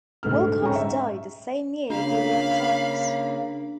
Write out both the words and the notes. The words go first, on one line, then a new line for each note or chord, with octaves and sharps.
Wilcox died the same year he left office.
D2 G#2 A3 F6
G#2 C#4 G5 A#5 C#6
E5
C#3 A#3 D4 F5 B5